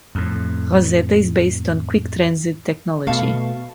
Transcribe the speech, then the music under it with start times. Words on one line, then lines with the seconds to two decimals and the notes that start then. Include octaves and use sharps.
Rosetta is based on QuickTransit technology.
0.15 F2 A2
3.07 B2 A3 F5 A5 C#6